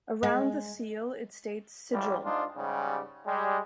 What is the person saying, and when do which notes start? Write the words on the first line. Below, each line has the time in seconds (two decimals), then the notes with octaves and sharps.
Around the seal it states Sigill.
0.23 G#3
1.92 G#1 A2 G3
2.24 G#2 D4 D#4 F4
2.57 G#2 C#3 G3
3.27 G3 G#3